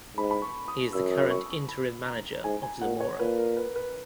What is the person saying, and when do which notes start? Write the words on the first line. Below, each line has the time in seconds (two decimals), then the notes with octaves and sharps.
He is the current interim manager of Zamora.
0.17 G#2 B5
0.31 B5
0.42 C#6
0.68 D#6
0.93 F#2 E6
1.11 D#6
1.31 C#6
1.50 C#6
1.68 B5
2.06 A#5
2.44 G#2 G#5
2.63 G#5
2.81 A#2 F#5
3.00 C#5
3.19 A#2 B4
3.38 A#4
3.57 B4
3.76 B4